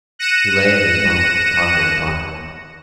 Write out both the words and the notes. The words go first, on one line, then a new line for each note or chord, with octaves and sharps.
He lay in his bunk pondering upon it.
F#6 A#6 C#7 D#7 E7